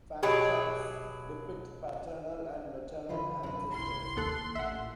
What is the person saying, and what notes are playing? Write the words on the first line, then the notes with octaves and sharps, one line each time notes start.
Fan charts depict paternal and maternal ancestors.
B2 F#3 G4 G#4
D3 E3 F3 F4 B4
F#2 C3 B4
G1 C2 A2 C6
D#2 A4 F#6
A1 A#2 E5 F#5